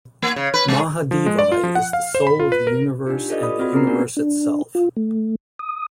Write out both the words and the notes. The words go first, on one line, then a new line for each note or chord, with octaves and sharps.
Mahadevi is the soul of the universe and the universe itself.
A#3
C#3
B4
G#3
F3
G#3
D5
F4
F3
F#5
F5
C5
B5
F4
B4
A#4
D4 D#4 F4 G4
F4 G4 A4 B4 D5 D#5
D5 B5 D#6
C4 F4 F#4 B5
B3 C4 G#4 A#4 A#5 C7
A#3 C#4 D4 A#4 D5
D4
F4
A3
D#6